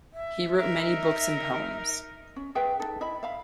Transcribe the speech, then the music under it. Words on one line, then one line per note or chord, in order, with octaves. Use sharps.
He wrote many books and poems.
E5
D#4 A#4 E5
C#4
G#4 B4 E5 G5
D#4 A4
E4 D#5 E5 B5
E5 F5 B5